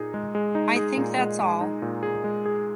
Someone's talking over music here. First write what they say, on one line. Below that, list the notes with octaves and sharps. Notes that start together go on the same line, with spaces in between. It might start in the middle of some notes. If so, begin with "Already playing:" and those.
I think that’s all.
Already playing: A#2 D#4 G#4
G#3
G#3
D#4
G#4
A#2
G#3
G#3
D#4
A#2
G#4
G#3
G#4